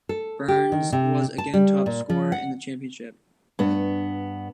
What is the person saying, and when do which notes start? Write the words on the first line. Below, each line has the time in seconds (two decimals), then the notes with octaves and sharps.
Burns was again top scorer in the Championship.
0.09 A4
0.48 G4
0.72 D#3
0.92 C3
1.38 A5
1.54 G3
1.86 A#2
2.10 F3
2.32 F#5
3.59 G2 B3